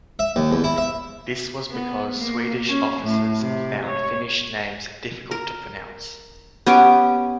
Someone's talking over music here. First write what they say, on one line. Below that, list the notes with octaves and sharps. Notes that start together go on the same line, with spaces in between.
This was because Swedish officers found Finnish names difficult to pronounce.
E5
D#2
E2
E4
E5
B3
A#3
C#4
A2
C3
C#5
A#4
B3 C#4 G4 D6